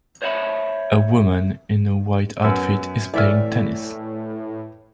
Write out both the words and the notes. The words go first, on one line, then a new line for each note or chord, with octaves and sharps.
A woman in a white outfit is playing tennis.
C5 C#5 E5 F#5 B5
F#2 B3 E6
A2 E3 D5 E5 F6